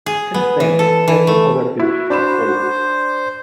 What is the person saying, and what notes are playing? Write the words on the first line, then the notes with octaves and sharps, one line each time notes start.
Since then several other books have followed.
G#4
B3
E3
A4
E3
A3
E4 F#4
D4 C5 B5 E7